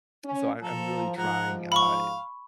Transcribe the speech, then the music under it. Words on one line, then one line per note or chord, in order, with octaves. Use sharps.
so, I I'm really trying, uh,
C#4
F3 F4 A4 A#4
G#2 F3 A#4 F#5
F5 B5 C#6